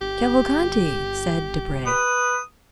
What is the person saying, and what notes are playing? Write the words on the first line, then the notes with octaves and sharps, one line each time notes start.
"Cavalcanti!" said Debray.
G1 G4
B4 D#6